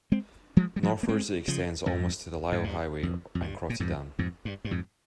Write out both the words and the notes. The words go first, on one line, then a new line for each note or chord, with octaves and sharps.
Northwards it extends almost to the Lyell Highway and Crotty Dam.
G#3 C4
F3 G#3
G3
F3 G#3
A#3
G#3 C4
C#3 F3
F2 G#2
G#2
G2
F2
F2
G2
A#2
F2 G#2
F2 G#2
G2
G2
F2 G#2